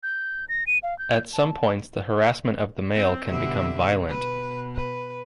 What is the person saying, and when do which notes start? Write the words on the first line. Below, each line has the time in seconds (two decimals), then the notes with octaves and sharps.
At some points, the harassment of the male can become violent.
0.03 G6
0.49 A#6
0.67 D#7
0.83 F5
0.99 G6
1.33 A5
2.96 C4
3.29 B2 D3 G3 E5
4.09 B2 B4
4.76 B4